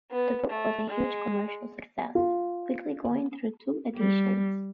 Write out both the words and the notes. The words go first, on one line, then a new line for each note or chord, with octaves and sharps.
The book was a huge commercial success, quickly going through two editions.
B3
A3
G#3
F4
G3